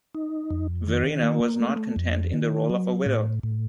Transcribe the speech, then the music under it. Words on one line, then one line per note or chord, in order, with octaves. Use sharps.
Verina was not content in the role of a widow.
D#4
F2
D#3
A#3
A3
F2
D#3
F#3
A2
A2